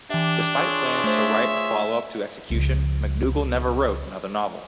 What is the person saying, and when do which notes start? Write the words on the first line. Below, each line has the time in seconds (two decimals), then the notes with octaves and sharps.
Despite plans to write a followup to "Execution", McDougall never wrote another novel.
0.10 E3 D4 G4 E5
0.56 F4 G#4 C#5 C6 E6
1.04 A3 C5 E5
2.50 C#2 F3